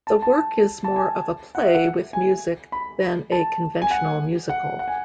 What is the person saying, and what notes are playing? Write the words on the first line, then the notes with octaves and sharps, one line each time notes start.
The work is more of a play with music than a conventional musical.
A5
A5
A5
G#5
F#5
E5
F#5
G#5
B5
A5
G#5
F#5
F#5
F#5
G#5